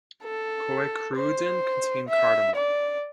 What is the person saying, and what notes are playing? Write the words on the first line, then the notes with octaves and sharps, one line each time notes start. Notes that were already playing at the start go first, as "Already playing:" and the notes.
"Koekkruiden" contain cardamom.
A4
C5
E5
D5